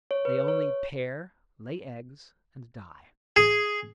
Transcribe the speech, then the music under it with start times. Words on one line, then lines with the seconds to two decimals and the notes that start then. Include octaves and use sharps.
They only pair, lay eggs, and die.
0.11 C#5
0.25 B4
0.48 C#5
3.36 G#4